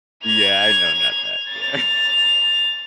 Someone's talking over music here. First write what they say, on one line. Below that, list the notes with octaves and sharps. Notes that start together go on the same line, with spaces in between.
Yeah, I know, not that, yeah.
G#6 F7
A6 F7